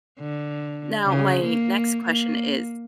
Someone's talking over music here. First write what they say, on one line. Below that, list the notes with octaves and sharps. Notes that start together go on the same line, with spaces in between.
Now my next question is
D3
C#3
A#3
A#3